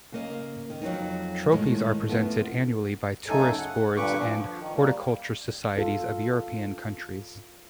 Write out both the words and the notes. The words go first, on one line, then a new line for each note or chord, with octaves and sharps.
Trophies are presented annually by tourist boards and horticultural societies of European countries.
C#3 A#3 D#5
D#3
F2 F#3 C4 D#4
A2 D#3 G#3
F2 A3 B3 C4
F#2 C#3 A3 D#4 A4 G#5
F#5
G2 A#2 D3 B4 C#6 D6
F3
D#3
G3 A#3
F4 A4